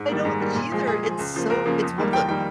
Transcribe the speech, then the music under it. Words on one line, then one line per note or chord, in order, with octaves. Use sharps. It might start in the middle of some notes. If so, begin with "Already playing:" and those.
I don't either. It's so it's one of the
Already playing: G#2
D#3 G3 A#3
G#2
D#3 G3 A#3
A#2
F3 G#3
A#2 G#4
F3 G#3
C#2
C#3 F3 A#3
C#2 A#4
C#3 F3 A#3
F2
D#3 G3 A#3
F2 G5
D#3 G3 A#3 G5